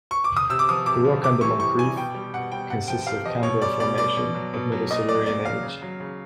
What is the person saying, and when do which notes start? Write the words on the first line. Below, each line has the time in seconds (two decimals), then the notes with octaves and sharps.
The rock under Moncrieff consists of Canberra Formation of middle Silurian age.
0.11 C#6
0.24 D6
0.37 D#6
0.49 C3 E6
0.59 D6
0.69 F3 D#6
0.86 C3 D6
1.05 F3
1.23 C3 D6
1.41 E3 G3 C#6
1.60 C3 C#6
1.78 E3 G3 G#5
1.96 B2 G5
2.14 G3
2.34 B2 F#5
2.52 G3 G5
2.70 C3 F#5
2.88 F3 G5
3.06 C3 F5
3.25 F3 D#5
3.43 B2 C#5
3.62 G3 D5
3.80 B2 D5
3.98 G3 D5
4.17 B2
4.35 F#3
4.54 B2
4.72 F#3
4.91 A#2 D#5
5.08 F#3 D5
5.26 A#2 D5
5.45 F#3 F5
5.63 C#3
5.82 F#3
6.00 C#3